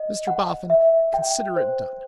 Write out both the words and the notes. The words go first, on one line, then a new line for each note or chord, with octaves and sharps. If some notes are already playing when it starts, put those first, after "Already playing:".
'Mr Boffin, consider it done.
Already playing: D#5
F#5
E5
G5
C5